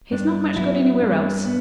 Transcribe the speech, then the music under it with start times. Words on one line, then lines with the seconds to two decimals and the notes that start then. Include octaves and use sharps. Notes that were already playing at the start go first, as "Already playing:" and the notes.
He's not much good anywhere else.
0.12 G2 D4
0.56 F#3 B3 E4
1.01 G2 D4
1.45 B3